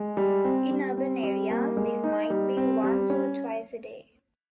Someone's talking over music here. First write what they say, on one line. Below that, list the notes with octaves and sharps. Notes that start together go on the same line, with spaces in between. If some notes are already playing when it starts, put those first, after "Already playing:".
In urban areas, this might be once or twice a day.
Already playing: G#3
G3
C4
G3
C4
G3
A#3
G#3
D#4
G3
C4
G3
C#4